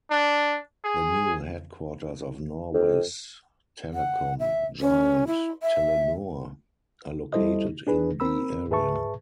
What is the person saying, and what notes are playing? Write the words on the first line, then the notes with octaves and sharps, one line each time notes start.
The new headquarters of Norway's telecom giant Telenor are located in the area.
D4
G#4
F2
F#5
E5
C#4
E4
E5
G3 E4 A4 C5 D#5
D4 G#4 B4
C4 A#4 B5 E6
G#2 G#4 B4 E5 A5 C#6